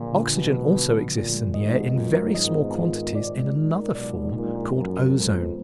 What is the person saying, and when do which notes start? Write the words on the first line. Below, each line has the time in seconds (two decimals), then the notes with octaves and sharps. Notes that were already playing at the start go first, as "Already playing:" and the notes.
Oxygen also exists in the air in very small quantities in another form called ozone.
Already playing: A#1 A#2 D3
0.13 D3
0.34 B1 B2 F3
0.54 G#3
0.74 D3
0.94 D3
1.13 A#1 A#2 F3
1.34 G#3
1.54 G#1 G#2 D#5
1.75 B3
1.94 F#2 F4
2.15 A#4
2.34 G#1 G#2 D#5
2.55 B3
2.75 F4
2.95 A#4
3.15 D5
3.36 G#3
3.56 D#4
3.76 A#4
3.95 B1 B2 D5
4.15 G#3
4.36 A#1 A#2 D#4
4.56 A#4
4.75 F#2 F3
4.96 F3
5.16 F2 G#3
5.36 B3